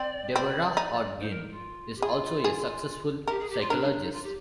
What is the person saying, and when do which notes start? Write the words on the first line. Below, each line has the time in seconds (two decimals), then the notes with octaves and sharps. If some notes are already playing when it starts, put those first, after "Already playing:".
Deborah Hodgkin is also a successful psychologist.
Already playing: C4 D5
0.35 C4 D5
0.77 D#4
1.19 C5
1.29 A#4
1.50 F4
1.96 G4
2.02 F4 G#4
2.44 G#4
3.27 G4 A#4
3.39 G#4
3.49 G4
3.60 F4
3.70 D4 A#4
3.81 D4
3.91 D4
4.01 D#4
4.12 F4
4.23 G4